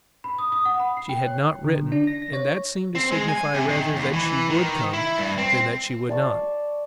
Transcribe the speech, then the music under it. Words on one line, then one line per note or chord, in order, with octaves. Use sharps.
She had not written, and that seemed to signify rather that she would come than that she would not.
B5
D#6
D#6
F#5
B5
C7
G5
C#5
D3
D4
A#6
A#6
C#5
C4
G#3
G#5
C3
D#3
D#2
E3
D#3
E4
G2
C4
D5 A5 C#6